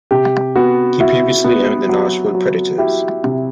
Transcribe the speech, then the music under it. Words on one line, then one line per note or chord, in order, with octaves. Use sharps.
He previously owned the Nashville Predators.
C3 G4
B3 F#4
E4 F#4
B3
F#3
F#3
E4 G4
C3